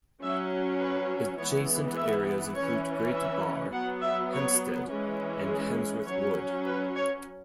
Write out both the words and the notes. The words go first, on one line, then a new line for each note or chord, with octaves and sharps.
Adjacent areas include Great Barr, Hamstead and Handsworth Wood.
F#3 C#4 E5
B4
E3 G#3 B3 C#5
E5
E3 C#4 C#5
E5
F#3 B3 F#5
E5
C#5
E3 G#3 C#4
G#4
F#3 C#4 C#5
B4
C#5